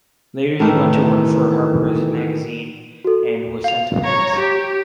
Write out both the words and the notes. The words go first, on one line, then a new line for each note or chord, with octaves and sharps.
Later he went to work for "Harper's Magazine" and was sent to Paris.
A2 D#3 E3 A3
F#4 A4
F5 F7
C#5 A#5
G4